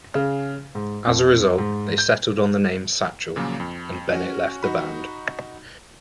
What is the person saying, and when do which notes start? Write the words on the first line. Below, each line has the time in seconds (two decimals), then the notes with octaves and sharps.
As a result, they settled on the name Satchel, and Bennett left the band.
0.15 C#3
0.75 G#2
1.07 F2
1.58 G#2
1.98 G6
3.36 A#2 C#3 F3 F#3 A#3
3.60 F2
4.12 C#4 F#4
4.63 D#4 F#4 B5